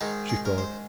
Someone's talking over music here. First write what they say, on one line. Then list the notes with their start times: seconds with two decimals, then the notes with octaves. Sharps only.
She thought.
0.01 G#2 D#3 G#3 D#4
0.29 G#4
0.45 A#4
0.58 C5